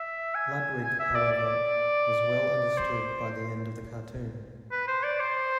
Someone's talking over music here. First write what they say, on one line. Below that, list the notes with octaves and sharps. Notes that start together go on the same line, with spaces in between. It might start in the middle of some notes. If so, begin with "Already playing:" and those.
Ludwig however was well understood by the end of the cartoon.
Already playing: E5
G#5
G#5
E5
D5
D5
C5
B4
C5
D5
C5